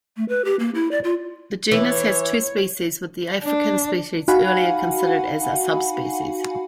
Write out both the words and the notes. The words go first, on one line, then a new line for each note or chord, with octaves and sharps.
The genus has two species with the African species earlier considered as a subspecies.
A3
B4
G4
A#3
E4
D5
F4
E3 C#5
D4
D#4 F#4 F5 F#5 G#5 B5